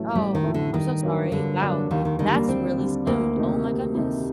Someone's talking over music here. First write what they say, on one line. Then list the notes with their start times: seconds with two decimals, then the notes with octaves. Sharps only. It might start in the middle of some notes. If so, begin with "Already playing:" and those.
Oh, I'm so sorry. Wow, that's really soon, oh my goodness.
Already playing: A1 A2 F#3 A3
0.15 A1 G3
0.35 D#3
0.44 A2 F#3 A3
0.54 D3
0.74 G2 D#3
1.03 F#3 A#3 D4
1.32 G2 D3
1.61 F#3 A#3 D4
1.91 D#2 D#3
2.05 D#3
2.19 D3 D#3 G3
2.34 A#3
2.49 D#2 C4
2.78 D3 G3
3.07 D2 A#3
3.36 C3 D#3 A3 D#4
3.65 D2
3.95 C3 D#3 A3 D#4